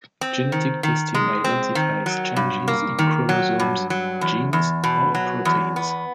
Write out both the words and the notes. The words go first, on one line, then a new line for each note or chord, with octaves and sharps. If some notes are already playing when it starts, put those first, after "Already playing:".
Genetic testing identifies changes in chromosomes, genes, or proteins.
C4
D#3
D#3
G#3
C4
D#3
F#3
G2
A#3
D#3
F#3
G2
F#3
E2
E2
B2
F#3
E2
B3